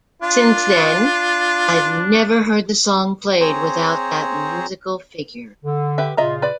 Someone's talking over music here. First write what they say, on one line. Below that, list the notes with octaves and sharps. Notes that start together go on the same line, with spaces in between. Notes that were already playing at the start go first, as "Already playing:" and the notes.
Since then, I've never heard the song played without that musical figure.
D4 F4
C4 G#4 C5 C#5 A#5
D3
G4 B4 E5
A#2 C#3 F4 D#5 E5 A#5
B4 D5